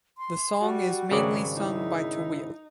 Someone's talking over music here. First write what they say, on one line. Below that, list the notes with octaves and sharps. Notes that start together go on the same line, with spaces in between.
The song is mainly sung by Tawil.
C6
G3 F#4
G#1 C#3 F#3 D5
D#4 E4